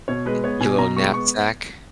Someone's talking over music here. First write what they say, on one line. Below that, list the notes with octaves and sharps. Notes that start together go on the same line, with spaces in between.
I your little knapsack.
B2 C#5
G#3 B4
B3 C#5
B2 G#5
B2 A#5
G#3 C#6
B3 C#6